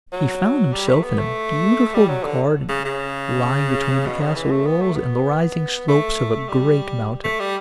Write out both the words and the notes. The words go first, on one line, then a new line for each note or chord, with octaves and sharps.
He found himself in a beautiful garden, lying between the castle walls and the rising slopes of a great mountain.
F#3
G3
A3
B3
A3
G3
F#3
D3
C#3
C#3
B2
C#3
E3
A3
B3
A3
B3
A3
G3
A3
G3